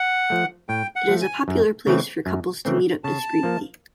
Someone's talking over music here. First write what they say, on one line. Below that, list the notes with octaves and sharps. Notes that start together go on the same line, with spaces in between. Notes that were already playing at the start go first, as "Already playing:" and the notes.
It is a popular place for couples to meet up discreetly.
Already playing: F#5
F3 A3
A2 G5
F#5
F3 A3
G#5
F#2
C#3 E3 A3 C4
F#2
C#3 E3 A3 C4
C#3 A5
F3 A#3